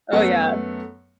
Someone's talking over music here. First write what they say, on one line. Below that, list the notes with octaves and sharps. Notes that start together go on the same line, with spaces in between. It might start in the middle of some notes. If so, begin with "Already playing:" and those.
Oh, yeah,
F#2 A3 B3